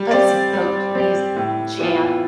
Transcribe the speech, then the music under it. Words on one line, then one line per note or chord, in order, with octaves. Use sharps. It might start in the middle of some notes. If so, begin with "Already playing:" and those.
Put some goat cheese and jam.
Already playing: G3
C4 G4 D5
G3
C4 G4 D5
A2
E3 B3 F4